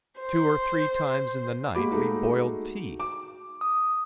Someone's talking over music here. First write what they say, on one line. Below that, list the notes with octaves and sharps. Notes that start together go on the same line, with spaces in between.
Two or three times in the night we boiled tea.
C5
G#3 A#3 F#4 B5 D6
G#3 A3 D#4 F#4
D6
D#6